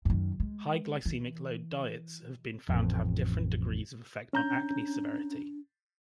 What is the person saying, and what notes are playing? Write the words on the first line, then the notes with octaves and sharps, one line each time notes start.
High-glycemic-load diets have been found to have different degrees of effect on acne severity.
F#2 D#3
G#3
E3
A1 F2
C#4 D4 A#5 G6